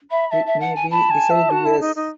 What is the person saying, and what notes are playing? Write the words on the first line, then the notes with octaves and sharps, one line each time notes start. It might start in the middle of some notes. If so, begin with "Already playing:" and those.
It may be deciduous.
E5 B5
E5 A5
E5
F#5
G#5
A5 B5
G#5
E5
F#4
E4
D#4
D#4